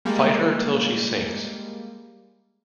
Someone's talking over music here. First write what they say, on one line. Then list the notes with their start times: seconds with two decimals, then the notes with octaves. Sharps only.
Fight her till she sinks.
0.05 G3 G#3 A#3